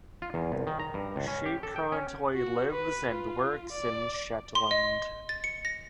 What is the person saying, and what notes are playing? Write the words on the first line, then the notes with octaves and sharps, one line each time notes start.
She currently lives and works in Shetland.
F4
E2
C2
D#3
A#5
G2
C#2
C#4
G4
A4
G5
C#4
F#4
B4
F4
D5
C6
D#5
A6
C#7
A#6